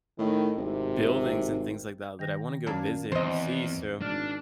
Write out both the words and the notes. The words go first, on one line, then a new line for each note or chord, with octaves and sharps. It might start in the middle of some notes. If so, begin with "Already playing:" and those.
buildings, and things like that, that I wanna go visit and see, so,
A2 D#3
G#1 C3
D#3 G5 A#6
F#2 A#3 D4
E2 C4 C5 D#5
G#1 D4 F6